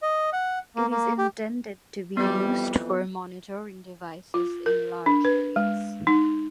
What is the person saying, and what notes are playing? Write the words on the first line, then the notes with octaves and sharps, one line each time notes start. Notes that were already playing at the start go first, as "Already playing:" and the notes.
It is intended to be used for monitoring devices in large areas.
D#5
F#5
A#3
A#3
G4
F2 E3 G3 B3 G6
F4
A#4
D4
B4
G#3
D#4